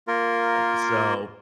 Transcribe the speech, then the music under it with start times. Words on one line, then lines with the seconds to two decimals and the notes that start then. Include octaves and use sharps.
I so
0.08 A#3 F4 A#4